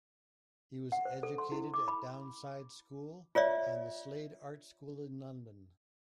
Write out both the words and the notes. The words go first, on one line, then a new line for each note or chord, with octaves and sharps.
He was educated at Downside School, and the Slade Art School in London.
F#5
C5
A4
C6
E4
D6
B5
F4 C#5 D5 E5